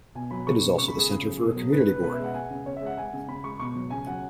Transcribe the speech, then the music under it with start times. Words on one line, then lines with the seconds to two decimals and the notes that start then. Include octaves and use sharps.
It is also the centre for a Community Board.
0.15 B2 G#5
0.31 F#3 B5
0.47 B2 C#6
0.62 G#3
0.78 C#3 C#6
0.88 B5
0.94 G#3 G#4
1.09 C#3
1.25 F#3
1.40 B2
1.56 F#3
1.72 G#3 B4
1.87 C#3 B4
2.03 B2 B4
2.14 E5
2.19 G#3
2.24 F#5
2.34 G#3 G#5
2.50 C#3
2.66 C#3 C#5
2.76 E5
2.81 G#3
2.86 F#5
2.97 G#3 G#5
3.13 C#3
3.28 C#3 B5
3.44 G#3 C#6
3.59 B2 C#6
3.75 F#3
3.90 C#3 G#5
4.07 F#3 F#5